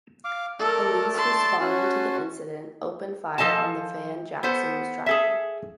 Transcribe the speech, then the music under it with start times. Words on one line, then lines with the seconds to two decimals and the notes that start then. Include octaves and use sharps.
Police responding to the incident opened fire on the van Jackson was driving.
0.25 F5 D6
0.60 A3 A4 A#4 D5
1.16 A5 C6
1.60 C#4 F#4 A5 C6
3.38 F3 A4 D#5 G#5 A5
4.43 B3 A4 C5
5.06 G#4 A4 E5